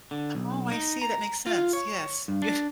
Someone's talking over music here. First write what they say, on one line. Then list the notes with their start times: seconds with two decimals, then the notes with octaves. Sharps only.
Oh, I see, that makes sense. Yes. Yeah.
0.11 D3
0.35 B1
0.72 D#4
1.02 A#5
1.47 F4
1.73 C#5
2.28 G2
2.42 D4